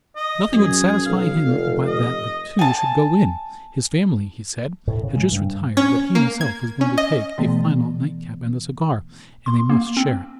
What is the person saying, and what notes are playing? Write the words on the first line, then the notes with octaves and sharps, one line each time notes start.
Nothing would satisfy him but that the two should go in; his family, he said, had just retired, but he himself was going to take a final nightcap and a cigar, and they must share it.
D#5
F#2 G#4
B1 F5
F1
D#5
G#5 A5
A2
C#3
G#3
G2
C#4
A#3
G#6
C#4
D#5
B2 E3 A3 B3
C6
A#3
C4